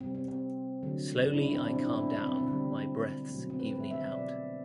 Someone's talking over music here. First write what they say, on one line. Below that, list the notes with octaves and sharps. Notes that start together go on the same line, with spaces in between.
Slowly, I calm down, my breathes evening out.
C3 G3 C4
C4
C4
D3 F#3 A3
D4
E4
D4
C4
B2 G3 C4
D4
E4
D4
C4
C4
C4
D3 G3 C4
B2 F#3 A3
C4
C4
B4
B4
E5
E5
E5
B2 A3 D5